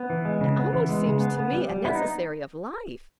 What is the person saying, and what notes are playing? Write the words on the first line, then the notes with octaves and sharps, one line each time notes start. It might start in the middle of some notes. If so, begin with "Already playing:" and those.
It almost seems to me a necessary of life.'
Already playing: B3
E3
G#3
C#3
B3
E3
G#3
C#3
B3
B3
G3
G3
B3 E4
D#4